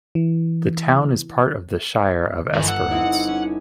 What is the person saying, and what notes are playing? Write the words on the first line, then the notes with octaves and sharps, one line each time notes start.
The town is part of the Shire of Esperance.
E3
G1 D#3 E3
F#5 E6
C4 D#4 E4
C#4